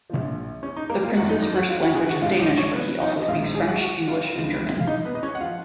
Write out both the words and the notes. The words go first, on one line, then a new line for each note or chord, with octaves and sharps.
The Prince's first language is Danish, but he also speaks French, English and German.
A#1 A#2 F3
C#4
D#4
A#3 A#4
F4 F5
G#1 F#2 F3 F#4 F#5
D#4 D#5
D#4 D#5
F#4 F#5
F4 F5
F#4 F#5
G#4 G#5
F#4 F#5
A#1 G#2 F3 F4 F5
D#4 D#5
C#4 C#5
B3 B4
D#4 D#5
D#5
A#1 G#2 D#3 F4 F5
G#4 G#5
F#4 F#5
F#4 F#5
F4 F5
C#2 C#3 F3
F5
D#4 D#5
B3 B4
D#5
C#4 C#5
F#5
F4 F5
F3